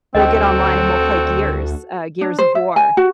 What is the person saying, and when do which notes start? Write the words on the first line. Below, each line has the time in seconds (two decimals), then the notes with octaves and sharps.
we'll get online and we'll play Gears, uh, Gears of War,
0.15 D2 C4 C#4 F#4 A4 D#5
2.21 D4
2.39 C5
2.55 E5
2.76 G#5
2.97 F#4